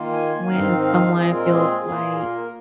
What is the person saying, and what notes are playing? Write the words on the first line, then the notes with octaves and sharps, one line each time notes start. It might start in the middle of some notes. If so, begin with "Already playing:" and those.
when someone feels like
Already playing: D#3 A#3 F4
G#5
G#2 D#3 C4 D#4 F5
F5
A#2 G#3 C4 F4 G#4
A#4
G#4
A#2 A#3 F4 G#4
A#4